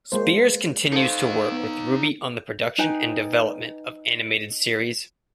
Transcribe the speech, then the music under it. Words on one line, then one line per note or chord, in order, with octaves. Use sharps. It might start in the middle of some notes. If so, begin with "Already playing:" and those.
Spears continues to work with Ruby on the production and development of animated series.
G#3 A#3 C5
D#4 A4 C5 F5
B3
D#4 B4 G5 G#5